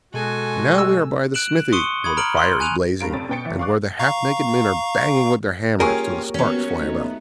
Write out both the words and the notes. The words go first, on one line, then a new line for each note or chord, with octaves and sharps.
And now we are by the smithy, where the fire is blazing, and where the half-naked men are banging with their hammers till the sparks fly about.
B2 G#3 F#4 A4 G#5
E6
F#6 D7 E7 F#7
C6 C#6 D#6 C#7 D#7 G7
B5 D#6 G#6
A#5 F6 D7 F#7
C6
G#5 F#6 D#7 F7
G2 A#4 F5 D7
F1 F2 A6
B2 B3 G5 A6 C#7
F#1 E3
F5 C#6 D6 F#6
F5 A#5 C#6
A#3 C#4 F4 G4 G#4 A#4 C#5
F#3 B3 C#4 F#4 C#7
A3 B3 D#4